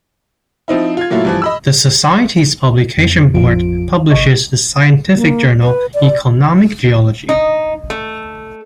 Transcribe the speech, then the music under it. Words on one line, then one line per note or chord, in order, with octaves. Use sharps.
The society's Publication Board publishes the scientific journal "Economic Geology".
F3 C4 D#4 E4
F4 G#6
A#2 F#3 A3 E4 F4
G2 E3 F3
D#5 B5 E6
F2
A1 F2 F3 F4 D7
G#1 C3 D#5 C#6
A#3
B4
D5
D#4
A3